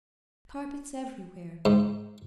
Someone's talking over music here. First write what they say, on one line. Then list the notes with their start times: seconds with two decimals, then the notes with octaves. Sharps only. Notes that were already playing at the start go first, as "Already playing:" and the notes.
Carpets everywhere.
1.65 G#2